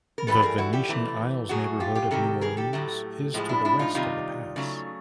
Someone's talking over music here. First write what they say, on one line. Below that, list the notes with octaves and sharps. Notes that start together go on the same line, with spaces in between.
The Venetian Isles neighborhood of New Orleans is to the west of the pass.
A#4
A2 E3 G3 A4 B4
G#4 A#4
E4 F#4
G4 A4
C3 E3 A3
A2 F#3 A3 F#4 G#4
F4 G4
F4 G4
C3 D#3 F#3 G4 A4
G#4 A#4
G4 A4
A2 F#3 A3
A2 F3 G#3
D4 E4
D4 E4
D#4 F4
C3 D#3 G3 D#4 F4
C#3 F#3 A3